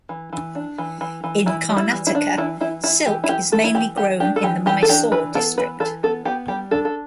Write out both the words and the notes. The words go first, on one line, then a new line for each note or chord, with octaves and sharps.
In Karnataka, silk is mainly grown in the Mysore district.
E3
E3
D4
E3
E3
E3
E3 E4
G3
E4
E3
E4
D4
E3 E4
E3 E4
E3 E4
E3 G4
E4
E3 G4
E3 A4
E4
E3 G4
E3 G4
D4 G4
A4
E3 G4
E3 G4
A4
D4 G4
E3 B4
B3 A4
E3 B4
E3 A4
B3 A4
B3 G4
G3 G4
D4 A4
A4